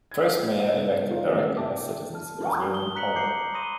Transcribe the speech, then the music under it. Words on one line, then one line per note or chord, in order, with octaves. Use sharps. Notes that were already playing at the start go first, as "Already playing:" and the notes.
The first mayor elected directly by citizens was William Caldwell.
G#6
C#3 B3 E7
D#4 F4 A4 C#5 F5
D#3 A3 A#3 C#4 G#4
D5 E5 G5 A5 D6
A5 F6
C#6
D#6 G7
A#5 F#6 B6 C#7 F#7
A#5 D6 G6 C7 C#7
B5 C6 D#6 A#6 D#7 G7